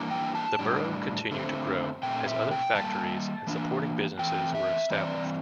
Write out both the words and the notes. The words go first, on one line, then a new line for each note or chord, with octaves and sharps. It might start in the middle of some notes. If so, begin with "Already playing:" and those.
The borough continued to grow as other factories and supporting businesses were established.
Already playing: E3 G3 A#3 D4
G5
A5
A2 G3 D4
D3 A3 C4
A#2 A3 C4 G5
E5
G5
C3 G3 A#3 A5
E3 A#3 D4
E3 A3 C4 G5
E5
E3 G3 C4 D5